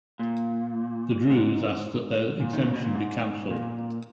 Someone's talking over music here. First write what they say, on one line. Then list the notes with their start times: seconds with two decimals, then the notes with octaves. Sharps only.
The Druze asked that their exemption be canceled.
0.19 A#2
1.30 G#2
2.40 A#2
2.53 D#3
2.63 C#3
2.74 B2
2.84 A#2
2.95 G#2
3.51 A#2